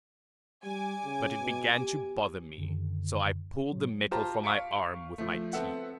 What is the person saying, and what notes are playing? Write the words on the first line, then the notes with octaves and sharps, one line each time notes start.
But it began to bother me, so I pulled the metal from my arm with my teeth.
G3 G#5 D6
C#3
B2
G4
F#2 D3 D#3
A2 F#3
F4 G4 C5 A5 A#5
F5 C#6 B6 C#7 D7
F3 A3
B3 C4 A4 E5 F#5